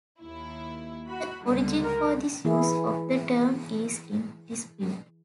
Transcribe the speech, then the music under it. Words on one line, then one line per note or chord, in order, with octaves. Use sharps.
The origin for this use of the term is in dispute.
D#2 E4
F#4 B5
C#2 D3 G3
A#4
E3 E4 G#4